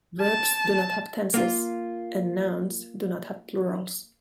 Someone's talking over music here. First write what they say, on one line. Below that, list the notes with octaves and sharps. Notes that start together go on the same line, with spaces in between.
Verbs do not have tenses, and nouns do not have plurals.
A5
A#3 F4